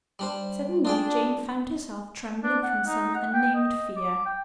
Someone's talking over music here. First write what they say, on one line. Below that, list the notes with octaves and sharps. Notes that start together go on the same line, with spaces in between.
Suddenly Jane found herself trembling from some unnamed fear.
G3 D4 C5
D4 F4 G#4 G5
D4
F#5
D#4
F#5
G5
D#5
D6
G5